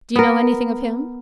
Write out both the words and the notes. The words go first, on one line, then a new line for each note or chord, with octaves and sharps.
Do you know anything of him?
B3 A#4